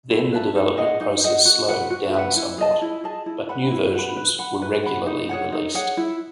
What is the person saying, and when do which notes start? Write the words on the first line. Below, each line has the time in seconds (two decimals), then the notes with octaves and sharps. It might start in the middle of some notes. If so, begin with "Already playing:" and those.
Then the development process slowed down somewhat but new versions were regularly released.
0.10 E4
0.32 B4 E5 A5
0.55 D#4
0.77 G#4 D#5 F#5
1.00 D#4
1.24 G#4 D#5 F#5
1.45 F#4
1.68 B4 F#5
1.90 F#4
2.14 B4 F#5
2.36 E4
2.58 G#4 D#5 A5
2.82 E4
3.04 G#4 D#5 A5
3.26 E4
3.49 B4 F#5 B5
3.71 E4
3.93 B4 F#5 B5
4.17 B4
4.39 F#5 B5
4.62 B4
4.84 F#5 B5
5.06 D#4
5.29 G#4 C#5 F#5
5.52 D#4
5.74 G#4 C#5 F#5
5.97 E4